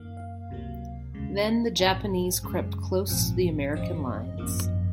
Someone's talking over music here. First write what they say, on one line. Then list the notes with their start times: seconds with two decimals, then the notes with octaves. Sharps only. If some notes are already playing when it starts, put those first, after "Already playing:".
Then the Japanese crept close to the American lines.
Already playing: F#2 D#3 A#3 F5
0.17 F5
0.49 C#2 C3 F#3 A#3
1.14 D#2 C#3 G#3
1.79 A#1 G#2 F#3 C4 G#5
2.43 F#2 C#3 G#3
3.08 A#1 G#2 F3 C4
3.73 G#1 F#2 C#3 F3 C4 D#5
4.38 G#1 F#2 F3 A#3